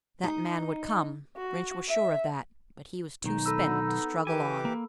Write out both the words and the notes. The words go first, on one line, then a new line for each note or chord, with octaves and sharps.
That man would come, Rynch was sure of that, but he was too spent to struggle on.
D#4
F#4
E5
B1 D#3 D#4
A4 B5 E6
D2 D3
B3
E3 G4 G#5 D6
A#3